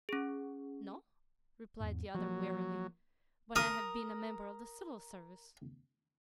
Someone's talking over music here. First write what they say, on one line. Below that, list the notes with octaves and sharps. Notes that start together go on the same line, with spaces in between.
"No," replied the other warily, "but I have been a member of the CIVIL Service."
C#4 G#4
E2 G#2
F3 F#3 A#3
A#4 D#6